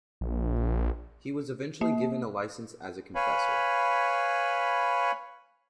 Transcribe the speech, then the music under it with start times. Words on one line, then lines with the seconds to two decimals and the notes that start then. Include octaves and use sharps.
He was eventually given a license as a confessor.
0.21 A#1
1.81 A#3
3.15 B4 C#5 F5 G#5 B5